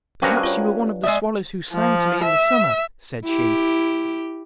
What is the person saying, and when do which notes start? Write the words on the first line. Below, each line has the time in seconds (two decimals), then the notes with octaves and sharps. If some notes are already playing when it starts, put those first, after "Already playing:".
'Perhaps you were one of the swallows who sang to me in the summer,' said she.
0.22 G2 C#4 F#4 G4 A#4 C5 G5 A#5
0.43 F4 C#5
1.04 G#3 D5 E5 D#6 E6
1.72 F3
2.24 E5
3.25 E4 G4